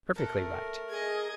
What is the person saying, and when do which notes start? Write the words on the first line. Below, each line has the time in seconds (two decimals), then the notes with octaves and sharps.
Perfectly right.
0.16 A3 A4 A#4 F#5
0.90 G#4 D#5 G#6